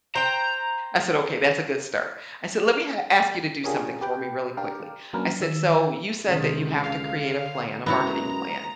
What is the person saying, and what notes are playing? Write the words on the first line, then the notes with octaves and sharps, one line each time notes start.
I said, "Okay, that's a good start." I said, "Let me a ask you to do something for me really quickly." I said, "So, you said that you have to create a plan, a marketing plan,"
C5 G5 A#5
D4 F4 G4 G#4 A#4 C#5
G4 B4 G5
D4 G4 A#4 D5 F5
F#3 A#3 C#4 D4 A#4 B4
D#3 E6
C#2 C3 D#3
D3 F5
F#2 G#3 B3 E4 F#4 A#5